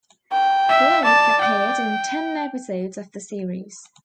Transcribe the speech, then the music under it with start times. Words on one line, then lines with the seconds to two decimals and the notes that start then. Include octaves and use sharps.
Leick appeared in ten episodes of the series.
0.32 G5
0.69 E5
1.04 D5 A5
1.41 G5